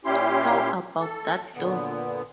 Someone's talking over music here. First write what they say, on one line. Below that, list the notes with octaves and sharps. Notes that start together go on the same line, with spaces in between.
How about that door?
A#2 C#4 E4 G4 C6
A4
A#2 D3 B3